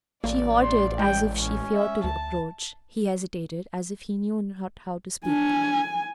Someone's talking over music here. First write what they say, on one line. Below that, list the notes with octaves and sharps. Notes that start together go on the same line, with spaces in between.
She halted, as if she feared to approach--he hesitated, as if he knew not how to speak.
A1 A#3 D5
C6
G#3 G5
C#4
E5
D2 A5
D4 G#5